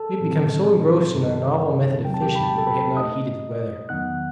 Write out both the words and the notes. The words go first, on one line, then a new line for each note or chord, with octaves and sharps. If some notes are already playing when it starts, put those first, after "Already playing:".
We had become so engrossed in our novel method of fishing that we had not heeded the weather.
Already playing: A4 A5
A2 F#3 C4 D#4
G2 D#3 G3 D#4
E2 C3 F#3 C4 D#4 G5
A5
G4 G5
B5
A5
G5
A4 A5
B4 B5
B2 A3 D#4 D#5 D#6
E2 D#3 F#3 B3 D#4 F#5 F#6